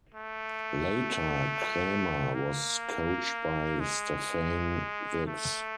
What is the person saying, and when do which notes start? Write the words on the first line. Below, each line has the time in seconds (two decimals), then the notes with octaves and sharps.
Later, Kremer was coached by Stephane Vix.
0.15 A3
2.35 A#3
3.80 G#3
5.27 A3